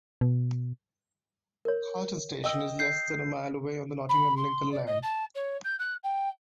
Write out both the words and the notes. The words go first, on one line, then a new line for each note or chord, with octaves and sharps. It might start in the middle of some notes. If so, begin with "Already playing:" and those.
Carlton station is less than a mile away on the Nottingham - Lincoln line.
B2
A#4 C#5
D#5 G5 E6
G6 C7
B5
C6
D5
D#5
A5
C#5
G6
F#6
G5